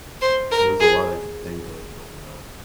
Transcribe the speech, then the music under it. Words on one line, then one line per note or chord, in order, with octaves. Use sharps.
There's a lot I can think of, but, uh,
C5
A#4
G#4